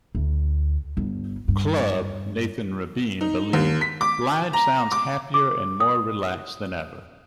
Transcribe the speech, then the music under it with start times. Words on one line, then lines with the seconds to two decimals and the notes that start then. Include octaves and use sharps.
Club", Nathan Rabin believed "Blige sounds happier and more relaxed than ever.
0.15 D2
0.97 G1
1.48 G2
3.21 D#4
3.53 D#2
3.81 B6
4.01 D6
4.53 A#5
4.92 D6
5.34 D6
5.80 D#6